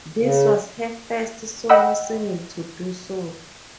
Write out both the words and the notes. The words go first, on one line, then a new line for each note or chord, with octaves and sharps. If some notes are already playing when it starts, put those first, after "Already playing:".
This was her first solo single to do so.
C#3
D#5 F#5 G5 B5 E6